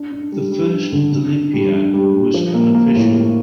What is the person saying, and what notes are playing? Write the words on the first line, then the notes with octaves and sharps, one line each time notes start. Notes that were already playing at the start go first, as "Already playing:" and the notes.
The first Olympiad was unofficial.
Already playing: D4
D4
G3
G3
D4
D3
D3
D4
G3
D4
G3
G3
F3
A#3
A#3
A2
A#3